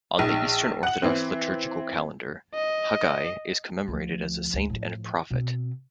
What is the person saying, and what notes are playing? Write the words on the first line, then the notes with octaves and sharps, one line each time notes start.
On the Eastern Orthodox liturgical calendar, Haggai is commemorated as a saint and prophet.
A#1 D#4
F#5 F#7
E3 C4
D#5
D2 F3
D2
A2 F3
B2 C4